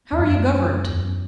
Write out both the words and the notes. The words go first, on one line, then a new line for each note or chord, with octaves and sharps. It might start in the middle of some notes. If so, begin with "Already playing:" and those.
How are you governed?
E2
F#2
E2
F#2